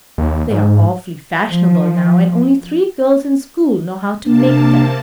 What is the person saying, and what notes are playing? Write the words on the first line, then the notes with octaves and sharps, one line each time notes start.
They are awfully fashionable now and only three girls in school know how to make them.
D#2
G#2
F3
C3 A#3 D4 A5